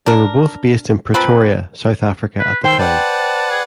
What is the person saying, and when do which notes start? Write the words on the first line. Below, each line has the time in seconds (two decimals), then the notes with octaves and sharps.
They were both based in Pretoria, South Africa at the time.
0.06 D4 A#4
1.14 F3 A#3 C4 B4
2.39 B4
2.64 D#3 C5 G5 C6 E6
2.79 B4 D5 F#5 A5
3.51 G#4